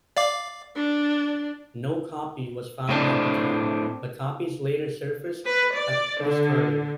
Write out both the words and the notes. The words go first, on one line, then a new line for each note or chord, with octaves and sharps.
No copy was found at the time, but copies later surfaced at Pluscarden.
D5 F5 D6
D4
A2 C4 D4
B4
D5
D3